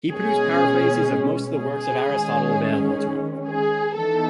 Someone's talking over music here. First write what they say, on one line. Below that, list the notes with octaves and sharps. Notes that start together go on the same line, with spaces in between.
He produced paraphrases of most of the works of Aristotle available to him.
B2 G#3 C#4 G#4
G#4
D#3 G#3 C#4
G#4
E3 B3 D#4 A4